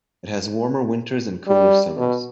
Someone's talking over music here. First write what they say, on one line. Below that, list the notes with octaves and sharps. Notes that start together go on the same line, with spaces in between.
It has warmer winters and cooler summers.
G3
B2